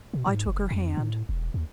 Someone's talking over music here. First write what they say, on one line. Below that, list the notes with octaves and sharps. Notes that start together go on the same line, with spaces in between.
I took her hand.
B2
G#2
F#1
F2
A2
E1
D#2